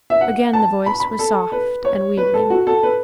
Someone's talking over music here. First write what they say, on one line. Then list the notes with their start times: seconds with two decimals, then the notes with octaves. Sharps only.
Again the voice was soft and wheedling....
0.10 E5
0.21 F#5
0.53 A5
0.86 B5
1.00 B5
1.19 A4
1.52 B4
1.85 C#5
2.17 B4
2.34 A4
2.50 F#4
2.67 A4
2.83 B4